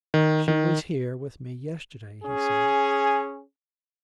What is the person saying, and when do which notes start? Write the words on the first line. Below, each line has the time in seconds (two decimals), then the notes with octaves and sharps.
'She was here with me yesterday,' he said.
0.14 D#3
0.48 D#3
2.23 C#4 G#4